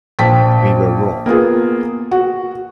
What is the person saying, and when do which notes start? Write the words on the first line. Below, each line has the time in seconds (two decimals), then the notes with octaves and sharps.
We were wrong.
0.19 A#1 G5 A5 B6
1.26 A#3 B3 F4 G#4
2.11 F#4